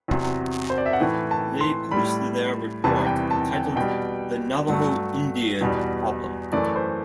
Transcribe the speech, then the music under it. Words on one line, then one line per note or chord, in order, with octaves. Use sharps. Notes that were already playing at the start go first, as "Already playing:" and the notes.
They published their report, entitled "The Navajo Indian Problem".
E2 C3 F#3
C5
D5
E5
F#5
A2 E3 A3 G5
A5
C6
G3 B5
A2
E2 C3 E3 G3 A5
G5
A5
G5
B2 G3 G5
G2 F#3 A3
E2 B2 G3
F#2 E3 A3 D5
C5